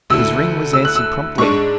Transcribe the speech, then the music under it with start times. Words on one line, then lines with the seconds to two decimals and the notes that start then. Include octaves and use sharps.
His ring was answered promptly.
0.10 D2 D3 A3 E4 E6
0.73 E6
0.85 F#6
0.96 E6
1.38 G#2 G#3 D4 C#6